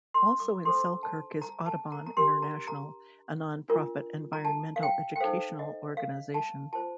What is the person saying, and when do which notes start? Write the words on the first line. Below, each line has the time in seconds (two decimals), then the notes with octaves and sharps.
Also in Selkirk is Audubon International, a non-profit environmental educational organization.
0.14 C6
0.40 D6
0.65 D4 A4 C5 C6
1.03 A5
1.42 A#5
1.66 A5
1.92 A#5
2.06 A#5
2.17 D4 G4 A#4 C6
2.42 A#5
2.68 A#5
3.69 D4 F4 A#4
4.33 A#5
4.45 A5
4.76 F5
4.83 G5
5.16 G5
5.20 D#4 A4 C5 F5
5.59 D#5
5.97 F5
6.34 A5
6.73 F4 C5 A5